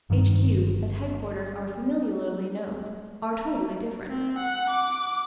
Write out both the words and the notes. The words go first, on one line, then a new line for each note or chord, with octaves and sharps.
H. Q.'--as headquarters are familiarly known--are totally different.
G1 G2 D#3
C4
F#5
D6